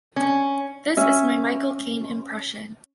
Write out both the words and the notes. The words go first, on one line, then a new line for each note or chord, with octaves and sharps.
This is my Michael Caine impression.
C#4
C#4 E5